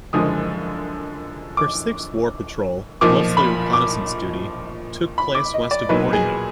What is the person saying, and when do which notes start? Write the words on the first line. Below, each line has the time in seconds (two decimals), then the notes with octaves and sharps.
Her sixth war patrol, mostly reconnaissance duty, took place west of Borneo.
0.13 F#1 F#2 D3 F3 G#3 D#6
1.57 D6
3.01 B1 A#2 F3 D6
3.37 B5
3.73 D6
5.18 B5
5.35 D6
5.54 D#5
5.71 D5
5.89 B1 A#2 F#3 B4
6.13 G#4